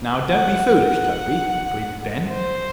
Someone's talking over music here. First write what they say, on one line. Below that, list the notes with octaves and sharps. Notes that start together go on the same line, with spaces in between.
"Now don't be foolish, Toby," pleaded Ben.
F#5
F#5
C5